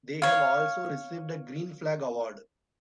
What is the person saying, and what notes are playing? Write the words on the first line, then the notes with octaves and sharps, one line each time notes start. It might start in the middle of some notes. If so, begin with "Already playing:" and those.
They have also received a Green Flag Award.
C#5 F5